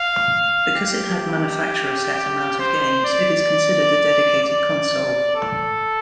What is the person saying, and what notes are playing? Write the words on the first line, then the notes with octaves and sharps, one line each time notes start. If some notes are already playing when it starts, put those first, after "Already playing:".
Because it had manufacturer-set amount of games, it is considered a dedicated console.
Already playing: F5
G4
G4
C5
D5
D5
A4